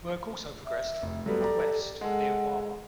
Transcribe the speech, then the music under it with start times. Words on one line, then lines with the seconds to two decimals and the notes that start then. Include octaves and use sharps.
Work also progressed from the west, near Wawa.
0.66 E5
1.02 F1
1.26 F#3 G3 B3 A4
1.41 G4 D5 A#5
2.01 G#3 A4 F#5